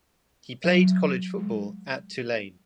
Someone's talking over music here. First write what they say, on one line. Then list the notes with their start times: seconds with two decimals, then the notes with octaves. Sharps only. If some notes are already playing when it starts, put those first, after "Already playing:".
He played college football at Tulane.
0.64 F#3
1.38 G#3